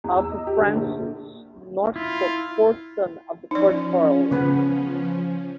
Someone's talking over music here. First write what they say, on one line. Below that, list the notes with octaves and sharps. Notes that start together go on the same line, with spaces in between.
Arthur Francis Northcote, fourth son of the first Earl.
E2
E6
D#5
G4
D3
A#1
E4 F4
F3 C#4 D#4 D5
C#3 B3 B4